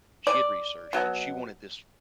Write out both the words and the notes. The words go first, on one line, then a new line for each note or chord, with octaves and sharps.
she had researched, and she wanted this
D5
B2 F#3